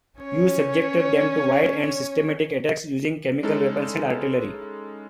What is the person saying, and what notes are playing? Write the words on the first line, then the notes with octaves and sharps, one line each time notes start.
You subjected them to wide and systematic attacks using chemical weapons and artillery.
C#4 C#5
G#3 C#4 D#4 E4 A4